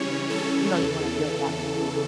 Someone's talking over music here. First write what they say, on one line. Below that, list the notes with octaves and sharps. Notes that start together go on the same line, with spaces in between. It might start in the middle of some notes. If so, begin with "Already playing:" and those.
you know, you wanna build that bond.
Already playing: C#3 E3 G3 C#4 C#5
A4
E2 C#3 E3